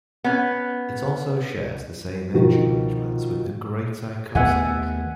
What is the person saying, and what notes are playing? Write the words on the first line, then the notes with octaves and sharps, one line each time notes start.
It also shares the same edge arrangement with the great icosahedron.
B3 C#4
B2 D#3 F3
D#2 A3 B3 E5 F#5 G#5